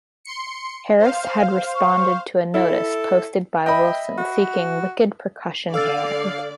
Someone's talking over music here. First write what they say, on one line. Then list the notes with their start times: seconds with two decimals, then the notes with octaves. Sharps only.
Harris had responded to a notice posted by Wilson seeking wicked percussion hands.
0.25 C6 C#7
0.98 C5 F5
1.76 C#6
2.54 E4 A4
3.66 D#5 E5 G5 B5
4.18 F#4
5.74 D3 A4 D5 F5 E6 A6